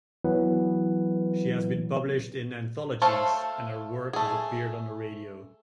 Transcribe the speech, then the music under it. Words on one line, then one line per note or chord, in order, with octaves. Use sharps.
She has been published in anthologies and her work has appeared on the radio.
E3 F#3 B3 E4 B4
A3 A4 C5 C#5 F5
A3 G#4